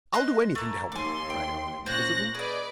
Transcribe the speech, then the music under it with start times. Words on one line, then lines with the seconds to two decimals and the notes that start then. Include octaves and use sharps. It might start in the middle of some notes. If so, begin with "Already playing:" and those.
"I'll do anything to help her!" cried Allan, impulsively.
0.13 D#5 C6 F#6
0.55 A3 A#3
0.92 D#2 G#5 C6 D6
1.30 G5
1.86 A#2 C#4 C5 F#6 A#6
2.35 G#4 B4 D5 D#5